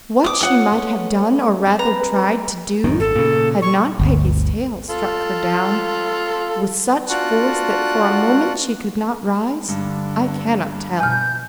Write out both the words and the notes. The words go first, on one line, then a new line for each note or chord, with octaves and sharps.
What she might have done, or rather tried to do, had not Peggy's tail struck her down with such force that for a moment she could not rise, I cannot tell.
E4 D6 D#6
C#4 F4 F#5 D#6
A3 C#4 B4
C4 C5
B4 A#5
A1 F#2 D#3
G#1 A4
A#2 C#3
C#6
G1 D2
F4 A4
D4 F4 F#4 F#5
G2 D3
B2 G#5 F6 G6